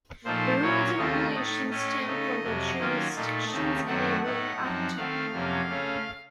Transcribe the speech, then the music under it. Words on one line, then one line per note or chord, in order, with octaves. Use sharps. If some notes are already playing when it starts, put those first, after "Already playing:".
The rules and regulations stem from the jurisdiction's enabling act.
A#2 F3 A3 D#4 C5
A#2 F#3 A#3 C#4 C#5
D#2 C#3 A3 C4 F4 D#5
A2 A3 D#4
A2 A3 C#4 D#5
C#3 A3 D#4
F2 C3 F#3
D#3 F#3 A#3 C#4 F4
A#2 A3 D#4
D#2 C#3 A3 C4 D#4
F#2 D#3 F#3 A3 C4 F#5
A2 A3 D#4 F#5
F#2 F3 C4 D#4
D#3 A3 C4 F5
F2 C3 F#3 A#3 C#4
C#3 A3 C#4